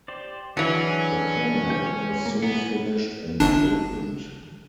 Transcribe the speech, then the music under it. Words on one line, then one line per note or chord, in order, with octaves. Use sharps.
The Canal was soon finished and opened.
G4 C5 D5
E3 F#3 C#4 D4 G#4
G4 G5
G#3 C#5
A#3
F#3 B3 G#5
G1 D4